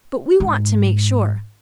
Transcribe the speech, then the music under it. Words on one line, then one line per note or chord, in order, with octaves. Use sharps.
But we want to make sure.
G#2